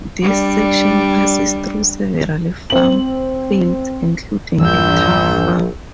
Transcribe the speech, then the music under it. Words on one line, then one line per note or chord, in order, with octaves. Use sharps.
This section passes through several farm fields, including a turf farm.
G3 D4
C4 F#7
A#1 E2 G2 E3 E6 G6